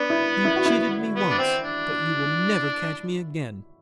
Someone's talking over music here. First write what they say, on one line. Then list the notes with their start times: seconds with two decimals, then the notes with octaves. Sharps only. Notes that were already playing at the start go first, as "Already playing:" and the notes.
"You cheated me once, but you will never catch me again."
Already playing: B3 D4
0.10 E4
0.45 E4
0.56 F#4
0.66 E4
1.15 B3
1.30 D4
1.38 C4
1.61 D4